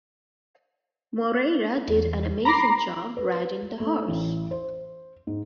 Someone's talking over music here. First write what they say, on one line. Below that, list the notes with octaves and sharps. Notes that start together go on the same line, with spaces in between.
Moreira did an amazing job riding the horse.
E2
A#5 B5 D6 A#6 C7
B4
A3
A1
C5
G#2